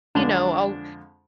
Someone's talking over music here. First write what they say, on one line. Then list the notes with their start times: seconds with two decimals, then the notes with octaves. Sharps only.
you know, I'll
0.15 F2 D3 G#3 D4